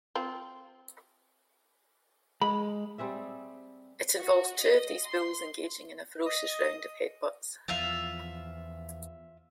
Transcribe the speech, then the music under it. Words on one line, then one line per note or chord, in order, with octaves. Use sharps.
It involves two of these bulls engaging in a ferocious round of headbutts.
C4 F4
G#3 B5
G3 C4 G#4 E5
F#4
D#5
C6
D#5 D#6
E2 F3 F4 E5 F5